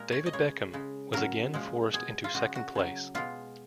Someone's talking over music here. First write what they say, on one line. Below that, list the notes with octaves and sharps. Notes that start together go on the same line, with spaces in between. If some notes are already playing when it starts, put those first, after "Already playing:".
David Beckham was again forced into second place.
Already playing: A#2 G#3 A#4
C#5
D#5
C#3 G#3 C#5
C#3 G#3
C#3 F#3 A#4
A#2 F3 G#3
B2 G#3 G#4
F4
C#3 F3 G#3 F#4
F#4
C#3 F#3
B2 G#3 F4